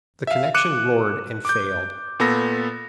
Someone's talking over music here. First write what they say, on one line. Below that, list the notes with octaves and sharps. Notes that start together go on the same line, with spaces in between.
The connection roared and failed.
E5 F5
D6 F#6 C#7 D#7 E7
D6 G6
A#2 B3 A4 B5 A#6